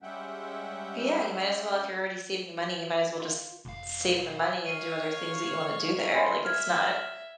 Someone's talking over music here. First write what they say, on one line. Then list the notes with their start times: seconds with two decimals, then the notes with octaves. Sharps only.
Yeah, you might as well if you're already saving your money, you might as well just save the money and do other things that you wanna do there, like, it's not
0.02 G3 G#3 C#4 E5 F#5 G5
3.20 F4
3.65 F1 B1 F5
4.66 C#5 F5 D#7
6.14 G#5 B5 C6
6.45 E5 F6 G#6